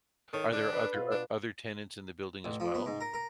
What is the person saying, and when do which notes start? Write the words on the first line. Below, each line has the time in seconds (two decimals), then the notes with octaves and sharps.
Are there other, o other tenants in the building as well?
0.33 D#3 A4 C#5
0.52 D3 D4
0.73 B4 C7
0.93 B2 F4
1.12 D4
2.45 A1
2.60 F3
2.75 B3
2.86 G#2
3.01 A#4
3.14 A#4